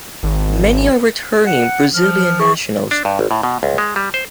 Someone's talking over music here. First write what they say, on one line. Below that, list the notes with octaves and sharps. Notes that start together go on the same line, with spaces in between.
Many are returning Brazilian nationals.
G#1
F#5
F3 F6
G#4 C#6
D4
G2
G#1
A2
B2
C#2
G#3
G3
C5